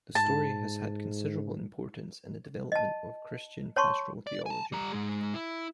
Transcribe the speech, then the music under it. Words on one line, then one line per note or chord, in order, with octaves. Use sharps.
The story has had considerable importance in the development of Christian pastoral theology.
G#2 A5
D#5 A5
C#5 A5 C6 C#6
D5
G#5 A5
G3 A#5
G#2 G#3
E4